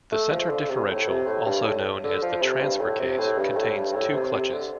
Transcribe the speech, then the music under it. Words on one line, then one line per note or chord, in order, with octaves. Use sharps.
The centre differential, also known as the transfer case, contains two clutches.
A3
F3
D3
C3
C3
A2
C3
A2
G2
A2
D3
F3
C3
G2
A2
C3
A2
G2
A2
G2
A2
C3
C3
D3